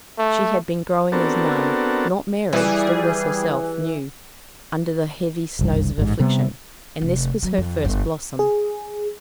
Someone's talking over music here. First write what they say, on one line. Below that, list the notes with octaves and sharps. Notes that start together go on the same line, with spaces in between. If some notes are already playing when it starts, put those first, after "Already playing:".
She had been growing as none, not Mary, still less herself, knew, under the heavy snows of affliction, and this was her first blossom.
A3
B3 C4 D4 F#4 A4 A#4
E3 G3 G#4 D5
B4
F#1 C2 G2
A1 G#2
C3 G3 B3
F1
F#3
F2
G1 B3
G#4